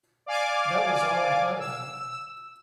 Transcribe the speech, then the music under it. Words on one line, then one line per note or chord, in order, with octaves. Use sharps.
That was all I thought about.
D5 F5 G#5 D6
E6